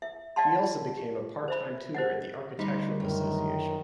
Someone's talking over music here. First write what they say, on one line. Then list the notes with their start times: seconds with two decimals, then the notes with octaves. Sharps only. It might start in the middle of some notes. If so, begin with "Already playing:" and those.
He also became a part-time tutor at the Architectural Association.
0.02 E5
0.36 D5 D#5 F5 F#5 A5 C6
0.97 G4
1.48 C5 E5 B5
1.95 C5 D#5 F#5
2.59 D2 G3 D#4
3.00 F#2 D#3 A#4